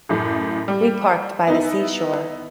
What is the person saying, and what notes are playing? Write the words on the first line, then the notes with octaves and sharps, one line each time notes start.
We parked by the seashore.
A1 F#2 A2
G3
B3 D#4 E4